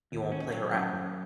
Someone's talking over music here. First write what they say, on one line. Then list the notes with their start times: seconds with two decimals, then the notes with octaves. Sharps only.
you won't play around.
0.12 D#2
0.32 C#4
0.53 F#3
0.73 F#2
0.93 F#2